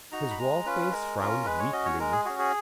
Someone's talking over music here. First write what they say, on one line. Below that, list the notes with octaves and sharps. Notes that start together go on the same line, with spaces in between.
His wallface frowned weakly.
D#4 F#4 A#5
B5
G#3 A#5
C#4 F4 B4
G#3 A#4
C#4 F4 A#4
G#3 B4
C#5
C#4 F#4 D#5
C#5
G#3 A#4
G#4
C#4 F#4 G#4
G#4